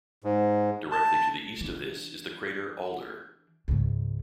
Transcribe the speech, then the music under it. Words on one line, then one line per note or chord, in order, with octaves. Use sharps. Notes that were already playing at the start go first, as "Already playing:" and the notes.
Directly to the east of this is the crater Alder.
G#2
A5
E3 D4
C#2 G#2